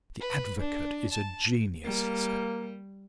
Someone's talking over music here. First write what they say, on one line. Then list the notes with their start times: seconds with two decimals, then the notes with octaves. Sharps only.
"The advocate is a genius," he said.
0.20 B4
0.60 D4
1.12 A5
1.84 G3 A#3